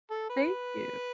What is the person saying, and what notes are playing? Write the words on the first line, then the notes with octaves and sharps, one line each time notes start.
Thank you.
A4
B4